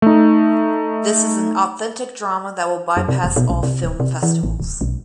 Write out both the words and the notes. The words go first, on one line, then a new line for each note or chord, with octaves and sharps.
This is an authentic drama that will bypass all film festivals.
A3 D#4
F#2
C3
F1
B2
B1
C3
D1
C3
E3
A1
D1
B1